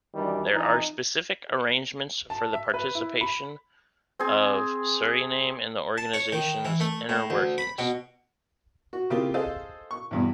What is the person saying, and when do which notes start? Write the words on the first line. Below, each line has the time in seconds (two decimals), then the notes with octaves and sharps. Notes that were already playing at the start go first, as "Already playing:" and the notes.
There are specific arrangements for the participation of Suriname in the organisation's inner workings.
0.15 F#2 D#3 E3 G3 D4
0.54 F2 E3 D#4
2.30 A5
2.53 E5
2.74 B4
2.95 E4
3.21 B5
4.19 C4 G#4
5.98 A5
6.14 C#5
6.32 D#3
6.65 E3
6.80 A3
7.09 A2
7.30 D2
7.58 B5
7.78 B2
8.93 F#4
9.10 C#3 A#3 C4 E4 F4 G4
9.34 G#4 A4 C5 D#5 F5
9.91 C#6
10.11 E2 G2 B2